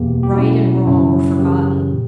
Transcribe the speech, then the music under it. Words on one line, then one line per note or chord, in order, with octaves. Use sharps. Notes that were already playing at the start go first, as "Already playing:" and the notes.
Right and wrong were forgotten.
Already playing: E2 B2 A#3 G4
G4
B2 F#3 C#4 E4 F#4
F#2 C#3 F#3 C#4 E4
F#2 C#3 E3 G4
A#2